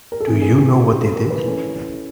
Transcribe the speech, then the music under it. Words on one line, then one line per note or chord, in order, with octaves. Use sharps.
Do you know what they did?
A#4
A4
C3 E3 A3 G#4
G#4
G4
F#4
G4
A4
A#4
B4
E3 A3 C#4